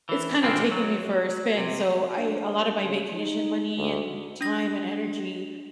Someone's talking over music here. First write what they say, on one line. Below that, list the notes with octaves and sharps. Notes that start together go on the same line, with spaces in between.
it's kinda taking me for a spin, so I a lot of my vacation money, and time, and energy
E3
B2 D3 F3 G#3 C4
F#3
C3
D4
C#3
D#4
D2
D4 A#6